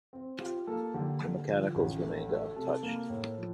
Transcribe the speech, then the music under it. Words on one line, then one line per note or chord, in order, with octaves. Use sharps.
The mechanicals remained untouched.
C4
F4 G4
A#3 A4
D3 G4
D3
F3
A1
A3
A3
C3 A4
A#3
A2
F3